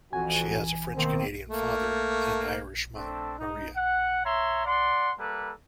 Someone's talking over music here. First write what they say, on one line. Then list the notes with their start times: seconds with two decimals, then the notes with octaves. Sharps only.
She has a French-Canadian father and an Irish mother, Maria.
0.13 F2 E3 F#4 G#5
0.96 B2 D#3 A#3 C4
1.49 A3 A#3
2.96 A3 C4 D4 A4
3.39 D#4
3.76 F#5
4.25 C#5 E5 A#5 C6
4.66 D5 F#5 C6
5.19 G3 A#3 A4 B4